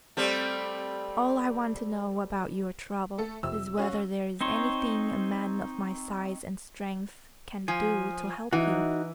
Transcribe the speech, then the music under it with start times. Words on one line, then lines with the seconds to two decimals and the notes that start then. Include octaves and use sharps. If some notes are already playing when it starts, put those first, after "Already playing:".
"All I want to know about your trouble is whether there is anything a man of my size and strength can do to help you."
0.17 G3 A3 C4
3.18 A3 A4
3.43 F2 C3 E6
3.78 C#4 F#4 F5
4.41 C4 D#4 C5 C#5
7.68 F3 G#5
8.53 E3 D#4 F#4